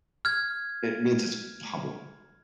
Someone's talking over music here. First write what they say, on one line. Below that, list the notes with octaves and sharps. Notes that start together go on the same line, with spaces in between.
It means it's public,
F6 G#6